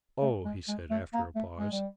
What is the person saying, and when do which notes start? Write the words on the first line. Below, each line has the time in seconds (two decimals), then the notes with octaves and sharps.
"Oh!" he said after a pause.
0.22 A3
0.45 G#3
0.68 G#3
0.90 A3
1.13 A#3
1.35 A3
1.58 G#3
1.72 G3